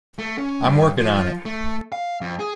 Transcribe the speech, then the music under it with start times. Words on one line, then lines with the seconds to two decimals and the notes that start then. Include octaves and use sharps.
I'm working on it.
0.18 A3
0.38 C#4
0.65 G2
0.97 F3
1.45 A3
1.92 F5
2.21 F2
2.39 G#4